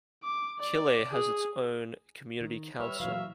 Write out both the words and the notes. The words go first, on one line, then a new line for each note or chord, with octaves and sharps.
Killay has its own community council.
D6
D5
G#4
D#3
G3 B4 C#5 E5 F6
A#2 E3 F#3 F5